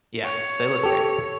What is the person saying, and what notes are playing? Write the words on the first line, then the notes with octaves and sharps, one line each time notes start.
Yeah, they look great.
C#5
G4 A4